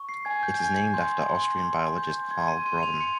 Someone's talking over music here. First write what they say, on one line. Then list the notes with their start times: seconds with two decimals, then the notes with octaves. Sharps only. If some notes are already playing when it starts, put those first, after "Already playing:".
It is named after Austrian biologist Karl Grobben.
Already playing: C#6
0.09 C7
0.25 G#5 G#6
0.43 G6
0.54 G6
0.59 G#5 G#6
0.77 G6
0.94 C6 G6
1.28 C6
1.63 C6
1.98 G6
2.31 C6 G#6
2.48 D#7
2.65 C6 D#7
2.83 F7
3.00 C6 C#7